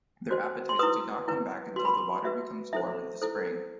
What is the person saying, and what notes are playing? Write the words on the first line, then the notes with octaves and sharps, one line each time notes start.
Their appetites do not come back until the water becomes warm in the spring.
F#4 C5
C6
E4 B4 D#6
E4 B4
F#4 B4 C6
B5
C6
F#4 B4 E5
E4 A4 C5 E5
E4 A4 C5